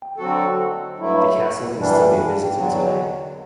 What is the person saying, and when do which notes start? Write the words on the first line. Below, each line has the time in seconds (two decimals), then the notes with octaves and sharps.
The castle can still be visited today.
0.17 D3 F#3 C4 F#4 A4
0.97 G2 F#3 A3 E4
1.77 F#2 E3 G3 D4
2.56 E2 D3 F#3